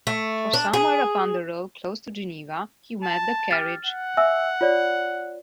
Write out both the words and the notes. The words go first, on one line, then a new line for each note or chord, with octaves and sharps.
For somewhere upon the road close to Geneva he met the carriage.
A3
D4
G#4
A5
G4 F6 A6
F#5
E5 G#5 E6
F4 C#5 D5